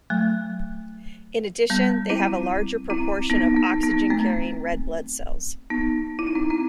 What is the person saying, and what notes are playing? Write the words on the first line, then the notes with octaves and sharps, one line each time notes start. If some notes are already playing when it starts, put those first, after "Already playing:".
In addition, they have a larger proportion of oxygen-carrying red blood cells.
F#3 A3
G3 B3
C4 E4
C4 E4
B3 D#4
B3 D#4
B3 D#4
A3 C4
B3 D#4
E4
D#4
C4 E4
C4 E4